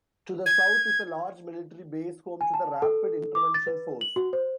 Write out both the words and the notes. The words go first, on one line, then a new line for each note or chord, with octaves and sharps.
To the South is a large military base home to the rapid intervention force.
G#6
G#5
A5
A4
D6
A6
B4
F#7
F#4
C5